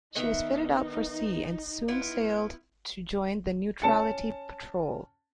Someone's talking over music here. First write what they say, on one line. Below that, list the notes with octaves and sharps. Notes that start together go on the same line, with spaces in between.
She was fitted out for sea and soon sailed to join the Neutrality Patrol.
D#3 B3 D#4 E5
B3 E4 F4
C#4 A5 C#7